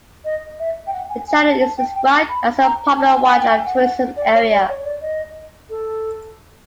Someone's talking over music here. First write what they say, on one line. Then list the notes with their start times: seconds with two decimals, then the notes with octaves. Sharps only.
The channel is described as a popular wildlife tourism area.
0.25 D#5
0.59 E5
0.87 G5
0.93 F#5
1.09 G#5
1.27 G#5
1.44 A5
1.61 A5
1.78 G5
1.95 G5
2.12 A5
2.29 B5
2.63 A#5
2.97 A5
3.14 G#5
3.26 G5
3.32 G#5
3.40 G5
3.49 G#5
3.66 F#5
3.83 F#5
4.17 D5
4.34 C#5
4.51 D5
4.68 C#5
4.85 D5
5.01 D#5
5.70 A4